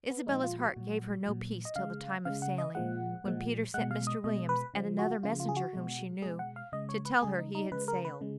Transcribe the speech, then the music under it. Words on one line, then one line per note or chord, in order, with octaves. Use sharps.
Isabella's heart gave her no peace till the time of sailing, when Peter sent Mr. Williams and another messenger whom she knew, to tell her he had sailed.
B3
A#2 F3 G#3 D#4
F4
F#4
A#2 F#3
A#2 F#3
D#5
C#3 G#3 F5
C#3 G#3 F5
F#5
D#5
A#2 F3 G#3 F#5
A#2 F3 G#3
B2 G#3 F#5
F5
D#5
B2 G#3 D#5
B4
C#3 F3 G#3
F#4
C#3 F3 G#3 F4
F4
G#4
F#4
B2 G#3
B2 G#3 G#4
F#5
F5
C#3 G#3 D#5
C#5
B4
C#3 G#3 G#4
D#4
D#4
C#3 G#3 B4
A#4
B4
C#3 G#3